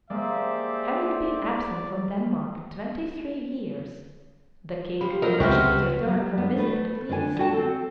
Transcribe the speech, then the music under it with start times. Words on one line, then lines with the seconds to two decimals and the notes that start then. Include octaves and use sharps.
Having been absent from Denmark twenty-three years, the King urged his return for a visit, at least.
0.10 G#3 A#3 G4 C5 D5 E5
5.01 F3 G4 B5
5.22 A2 F#3 A#4 D#5
5.40 C#2 C3 G#3 B3 C4 G4 C#6 F6
6.08 F#3 G3
6.38 B3 D4
6.56 A3 B4
7.09 D3 D4 C5 G#5
7.39 F#4 G5 A5
7.53 C4 A4